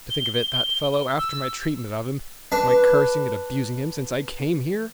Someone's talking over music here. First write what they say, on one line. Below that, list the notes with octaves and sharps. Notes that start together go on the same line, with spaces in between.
To think of it—that fellow, after my treatment of him—my cursing and abusing him since I came here!
G7
E6
D4 B4